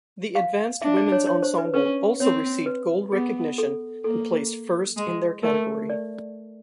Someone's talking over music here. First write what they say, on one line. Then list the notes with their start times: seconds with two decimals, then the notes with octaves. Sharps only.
The Advanced Women's Ensemble also received gold recognition and placed first in their category.
0.35 F5
0.82 D4 E5
0.97 D5
1.12 C#5
1.27 C#5
1.43 C5
1.58 B4
1.74 C#4 B4
2.20 C4 C#5
2.66 B4
3.12 B3 G#4
3.58 A4
4.04 A#3 A4
4.97 G#3
5.43 A3 A#4
5.90 D5